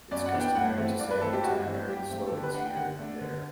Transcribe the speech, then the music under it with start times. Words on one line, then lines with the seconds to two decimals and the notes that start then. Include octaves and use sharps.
It's customary to say anti-American slogans here and there.
0.11 F#2 D5
0.26 F#5
0.33 E3 B3 D4
0.40 G5
0.55 G2 F#5
0.77 E3 A3 C4
0.99 G2 D5
1.11 B4
1.21 E3 A3 C4 A4
1.33 G4
1.44 G2 F#4
1.66 E3 A3 C4
1.88 G2 G4
2.10 E3 A3 C4
2.27 A4
2.32 D3 G4
2.43 B4
2.54 A3 D4 F#5
2.65 G5
2.76 D3 F#5
2.99 A3 D4
3.21 D3